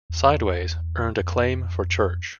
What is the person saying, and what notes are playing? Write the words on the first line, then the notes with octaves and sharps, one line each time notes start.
"Sideways" earned acclaim for Church.
E2
F2